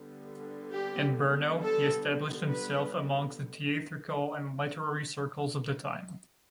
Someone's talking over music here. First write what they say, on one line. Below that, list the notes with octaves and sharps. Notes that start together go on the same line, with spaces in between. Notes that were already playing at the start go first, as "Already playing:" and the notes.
In Brno, he established himself amongst the theatrical and literary circles of the time.
Already playing: D3 G3 B3
G4
A4
B4